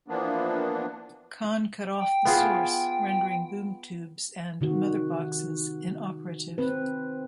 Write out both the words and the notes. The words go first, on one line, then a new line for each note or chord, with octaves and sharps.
Khan cut off the Source, rendering Boom Tubes and Mother Boxes inoperative.
E3 F3 A#3 B3 D4
G5
B3 F4 G#4
C3 D#3 F#4
C4 B4